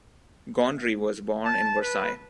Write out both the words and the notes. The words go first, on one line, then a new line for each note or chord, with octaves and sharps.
Gondry was born in Versailles.
A5
B4